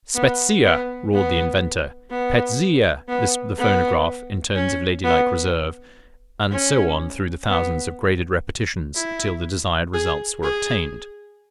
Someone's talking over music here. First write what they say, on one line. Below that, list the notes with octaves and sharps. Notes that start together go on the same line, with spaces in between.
'Spezia,' roared the inventor, 'Pezia' lisped the phonograph in tones of ladylike reserve, and so on through thousands of graded repetitions till the desired results were obtained.
B3
B3
B3
B3
B3
B3
C#4
B3
C#4
B3
E4
G#4
G#4